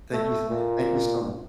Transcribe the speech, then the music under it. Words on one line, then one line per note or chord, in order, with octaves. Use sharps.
Thank you s thank you so much.
A3
A#2